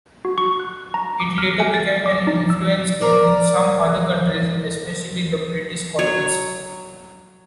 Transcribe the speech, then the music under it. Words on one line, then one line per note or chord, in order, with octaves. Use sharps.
It later became an influence in some other countries, especially the British colonies.
F#4
C#6
F#6
A#5
D6
F6
G#5
A6
D6
D#4
E6
A#4 D5
F#3 C#5